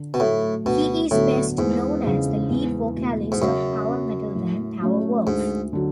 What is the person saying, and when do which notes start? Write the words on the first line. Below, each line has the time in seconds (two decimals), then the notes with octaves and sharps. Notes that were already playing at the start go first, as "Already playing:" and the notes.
He is best known as the lead vocalist of power metal band Powerwolf.
Already playing: D3
0.14 B2
0.19 A2 F#3 A3
0.65 D2 B2
1.11 A2 D3 F#3 B3
1.58 E2 G#2
2.04 C#3 G#3
2.50 E2
2.96 B2 A3
3.32 G#2
3.42 F#2 C#3
3.88 F#3 C#4
4.35 A2
4.81 F#3 A3 C#4
5.27 D2 G#2
5.73 D3 F#3